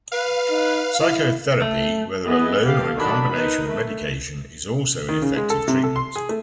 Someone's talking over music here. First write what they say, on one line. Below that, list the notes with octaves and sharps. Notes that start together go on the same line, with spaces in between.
Psychotherapy, whether alone or in combination with medication, is also an effective treatment.
B4 F5
D#4
E4
A3
B3 E4 G#4 B4 D#5
G4 A4 F5
D#3 F#3 D4 B5
D#4 A#4 B4
A3
D#3
C#3
G#3
A4
C3
A4
C6
G#4
A3